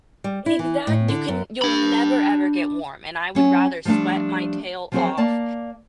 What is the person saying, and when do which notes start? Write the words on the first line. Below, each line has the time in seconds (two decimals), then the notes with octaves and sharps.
Exact you can you'll never ever get warm. And I would rather sweat my tail off
0.24 G3
0.46 E4
0.59 E3
0.87 A2
1.08 D3
1.28 F#2
1.62 D4 B5
3.35 F#3 C#4
3.85 F3 G3 A3 C4 D4
4.92 F3 F#3 C4 F#4 G#4 C5
5.17 A#3 D5 A5